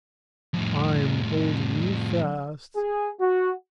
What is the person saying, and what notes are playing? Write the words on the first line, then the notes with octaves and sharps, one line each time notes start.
"I am holding you fast!"
F2 A2
G#4
F#4